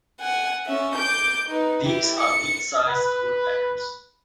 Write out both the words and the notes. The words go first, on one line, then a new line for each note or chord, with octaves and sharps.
These are mid-sized woodpeckers.
F#5 G#5
C#4 E5
D6 G6
D#4 B4
E4 G4
C#7
B4